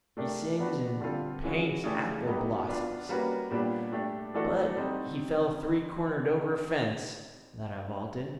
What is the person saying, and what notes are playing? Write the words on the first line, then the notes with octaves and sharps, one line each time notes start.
He sings and paints apple blossoms, but he fell three-cornered over a fence that I vaulted.
A3 D4 G4 A#4
B3 D4 F#4 B4
D3 G3 C4 F4 A4
C#3 E3 G#3 C#4 F#4
C#3 E3 A3 D4 G4
F#3 B3 D#4 G4
B3 D4 F4
G3 A#3 C#4 F#4 B4
A#2 G3 B3 D4 G4
A3 D4 G4
E3 A3 D4 F#4 A4
G3 C4 D#4